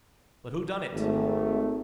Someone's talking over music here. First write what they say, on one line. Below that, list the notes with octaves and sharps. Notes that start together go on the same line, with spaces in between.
But who done it?
G#1 A3